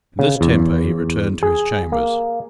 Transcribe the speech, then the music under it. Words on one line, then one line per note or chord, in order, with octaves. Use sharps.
In this temper he returned to his chambers.
C#3
E2
G#4
A#3